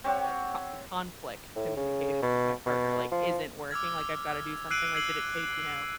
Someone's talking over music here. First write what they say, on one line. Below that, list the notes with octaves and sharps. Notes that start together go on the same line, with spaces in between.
uh uh, "co conflict communication with my partner, like, isn't working, like, I've gotta do something." Like, did it take, you know,
C4 G4 C#5 F#5
A2
C#3
B2
B2
F3
D6 E6 F6 G#6
E6 F#6 C7 D7 D#7 F#7
E6 G#6 C7 F#7